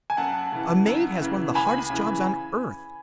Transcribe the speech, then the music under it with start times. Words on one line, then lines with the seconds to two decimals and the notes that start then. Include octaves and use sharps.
A maid has one of the hardest jobs on earth.
0.10 G#5
0.17 F#2 F#5 A5
0.52 C#3 E3
0.87 F#2
1.21 C#3 E3
1.55 C#2 G#5 B5
1.90 C#3 E3